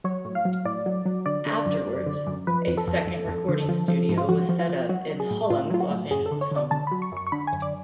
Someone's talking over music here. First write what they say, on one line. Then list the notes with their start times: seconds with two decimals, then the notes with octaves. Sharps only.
Afterwards, a second recording studio was set up in Hullum's Los Angeles home.
0.04 F#3 C#5
0.25 A2
0.35 F5
0.45 F#3
0.65 A2 D5
0.86 F#3
1.06 F#3
1.26 D3 D5
1.46 D3
1.66 F#2
1.87 F#2
2.06 D3
2.27 F#2
2.47 F3 B4
2.67 F2
2.77 A4
2.87 F2
3.07 F2
3.28 F2
3.49 D3
3.69 F3
3.88 F3
4.09 G#2
4.18 F4
4.29 F3 F#4
4.49 F3
4.59 F4
4.69 F3
4.89 F#3 F#4
5.10 F#3
5.20 G#4
5.30 A2
5.50 A2 F4
5.70 F#3 F4
5.80 F#4
5.90 A2
6.11 F#2 G#4
6.26 A4
6.31 D3
6.41 C#5
6.51 D3 D5
6.71 D3 A5
6.87 F#3 B5
7.02 C#6
7.12 F#2 C#6
7.27 C#6
7.32 D3 B5
7.47 G#5
7.52 F#2
7.62 D5